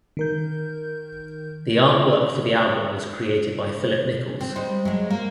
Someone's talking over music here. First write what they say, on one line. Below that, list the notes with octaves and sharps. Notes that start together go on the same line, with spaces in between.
The artwork for the album was created by Phillip Nichols.
D#3 A#4 G6
C4
G3 G#3 C5
F#3 G#3
A#3